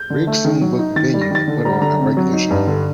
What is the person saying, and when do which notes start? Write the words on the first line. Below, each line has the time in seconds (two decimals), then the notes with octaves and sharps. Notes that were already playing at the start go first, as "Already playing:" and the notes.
Riggs soon booked a venue and put on a regular show.
Already playing: G6
0.10 D3
0.27 A3
0.45 D#3
0.61 F#3
0.79 D#4
0.96 D#3 A6
1.14 G3
1.21 A#6
1.31 D#3 A6
1.48 D3
1.65 G3 A#5
1.82 D3 A#5
2.00 C3
2.17 F#3
2.33 D#4
2.51 G2
2.67 D3